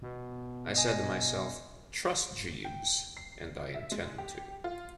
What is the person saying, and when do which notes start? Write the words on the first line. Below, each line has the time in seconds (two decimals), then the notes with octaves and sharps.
I said to myself 'Trust Jeeves,' and I intend to.
0.02 B2
0.76 D#5 G#5
2.65 G5
3.17 C7
3.74 E5
3.92 G#3
4.18 G4
4.64 F4